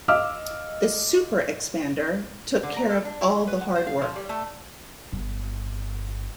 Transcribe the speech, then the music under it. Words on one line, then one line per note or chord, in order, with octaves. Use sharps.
The "Super Expander" took care of all the hard work.
D#5 F5 D6 E6 F6
D3
A#5
A4
D4
E4
B4
F#5
C5
F5
F3
G3
A3
G1